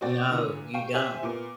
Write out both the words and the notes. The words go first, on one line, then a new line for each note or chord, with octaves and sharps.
No, you don't.
C4 F#4 D5 G5
A#2 D3 E3
F5 G5 C#6
G4 C5 E5 G#5
A#2 B3 D6